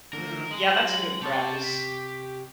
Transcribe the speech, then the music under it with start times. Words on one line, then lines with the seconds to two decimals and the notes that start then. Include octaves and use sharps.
Mm, yeah, that's a good practice.
0.13 D3 A3 A#4
0.51 G#3 D#5 F#7
0.83 F#3
1.22 C3 G4 A5 C6 C#6
1.63 B6